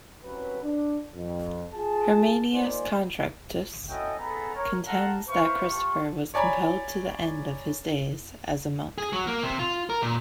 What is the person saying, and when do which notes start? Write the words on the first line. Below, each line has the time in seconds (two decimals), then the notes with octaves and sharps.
Hermannus Contractus contends that Christopher was compelled to end his days as a monk.
0.23 C2 C3 F#3 C#4 B4
0.63 D4
1.15 F2
1.72 F4 G#4 A5
2.53 A#3 D#4 F4 C5 D5 G#5
3.88 C#4 E4 F#4 A4 D#5 G5
4.19 B3 D#4 G#4 A4 A#5 B5
4.55 A#4 C#5
4.86 C4 A4 F5 F#5 A5 A#5
5.28 B4 C5 E5 F5 C#6
5.70 F4 G4 A5 C#6
6.34 C#5 D5 G#5 A#5 B5
8.98 G#4
9.13 F#3
9.27 A#3
9.43 C3
9.59 F4
9.90 A#4
10.02 A#2